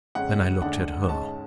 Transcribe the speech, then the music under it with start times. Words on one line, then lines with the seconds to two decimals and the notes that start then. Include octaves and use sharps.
Then I looked at her.
0.15 F2 C#3 G#3 C#4 F#5
0.62 D2 D3 G#3 D4 F#5
1.08 G#2 G#3 C#4 A5